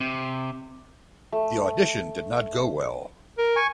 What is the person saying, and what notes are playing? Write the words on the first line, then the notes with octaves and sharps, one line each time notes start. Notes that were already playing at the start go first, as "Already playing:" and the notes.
The audition did not go well.
C3
A3
A#4
G#5 C#6